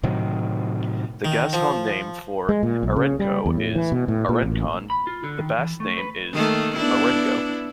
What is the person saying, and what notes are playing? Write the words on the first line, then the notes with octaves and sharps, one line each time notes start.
The Gascon name for "Arancou" is "Arancon"; the Basque name is "Erango".
A2 C3 D#3 F#3
D#3
F3
G#3
A#2
B1
C#3
G3
E2
A2
E3
B2
A2
A#2
A1
B5
F4
D3
D#3
E3
A3
B4
D#3 A3 A#3
B3 D4 E4